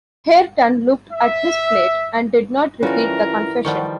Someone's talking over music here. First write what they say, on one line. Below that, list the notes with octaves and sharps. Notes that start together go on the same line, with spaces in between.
Hareton looked at his plate, and did not repeat the confession.
E5
E3 G3 A3 C#4 F4 F#4 A#4
D#3 F3 G3 F#5 C#6